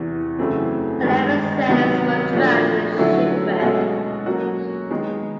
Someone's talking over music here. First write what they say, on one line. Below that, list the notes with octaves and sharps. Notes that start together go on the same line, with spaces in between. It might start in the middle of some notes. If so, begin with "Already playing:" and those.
Eleven sailors were drowned in the shipwreck.
Already playing: E2 C3 E3
F#2 C#3 E3 A3 C4
G2 D#3 G#3
C3 D#3 F#3 B3
A#2 F3 A3 D4 F#4
D3 F#3 A3 C#4 E4
B2 G#3 C#4 F#4 A4
F#3 A#3 C#4 F#4
D#3 G#3 B3